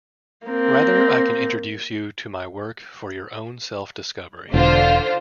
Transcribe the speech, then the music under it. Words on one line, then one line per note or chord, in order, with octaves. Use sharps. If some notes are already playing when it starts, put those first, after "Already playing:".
Rather, I can introduce you to my work for your own self discovery.
A#3 C4
E1 D3 F4 C5